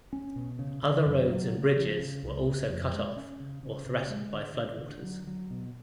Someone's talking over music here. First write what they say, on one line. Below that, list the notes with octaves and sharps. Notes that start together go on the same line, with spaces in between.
Other roads and bridges were also cut off or threatened by floodwaters.
C#4
B2
C#3
C#3
F#2
F#3
C#3
F3
C#3
C#2
C#3
F2
G#3
C#4
C#3
C#3
C#3
G#3
D3
D3
D3
F#3
F#3
B2